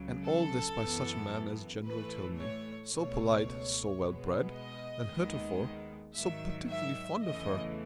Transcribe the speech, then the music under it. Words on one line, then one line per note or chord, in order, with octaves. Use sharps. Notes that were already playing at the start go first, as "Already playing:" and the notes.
And all this by such a man as General Tilney, so polite, so well bred, and heretofore so particularly fond of her!
Already playing: C#2 C#3 F#3
A4
F#2 E3 B3
A2 E3 A3 B4
C#5
C#2 B2 A3 C#5
B2 G#3 B3
D#5
D#2 D#3 G#3 B3
G#2 D#3 F#3 E5
E5
E2 C#3 E3 A3 D#5